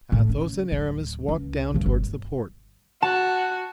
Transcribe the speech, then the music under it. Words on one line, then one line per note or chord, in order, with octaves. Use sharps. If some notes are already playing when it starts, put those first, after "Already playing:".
Athos and Aramis walked down toward the port.
A2
C#3
D1
C#2
C#2 G2
G1
F#4 F#5 A5